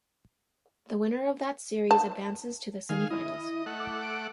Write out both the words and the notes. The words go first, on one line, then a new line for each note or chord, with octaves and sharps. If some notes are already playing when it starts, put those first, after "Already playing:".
The winner of that series advances to the semifinals.
A5
D#3 G#4 F5
E4 D#5
A3 F#5
D6
D7